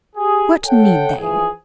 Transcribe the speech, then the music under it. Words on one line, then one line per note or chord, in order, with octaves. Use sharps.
What need they?
G4 G#4
A4 C#5 F#5 G5
E3 F3 G#4